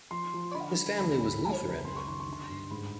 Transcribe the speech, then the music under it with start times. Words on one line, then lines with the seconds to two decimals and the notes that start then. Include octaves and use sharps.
His family was Lutheran.
0.11 F3 C6
0.34 F3
0.55 D3 B5
0.76 G3
0.98 D2 B5
1.20 D2
1.41 F#3
1.63 C#2
1.84 F#2 C6
1.96 C#6
2.06 D#3 C6
2.20 C#6
2.27 D3
2.33 C6
2.49 G2
2.71 G#2 B5